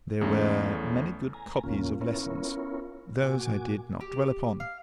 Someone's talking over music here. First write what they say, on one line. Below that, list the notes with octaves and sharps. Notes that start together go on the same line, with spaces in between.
There were many good copies of lessons: those I did not dwell upon.
E2 C#3 A3
G#5 A#5
D#2 A#2 C#3 A#3 C#4 F4
B3 C#4 E4 F4 A#4 C#5
A#2 F#4 G#5 D6
G4
F5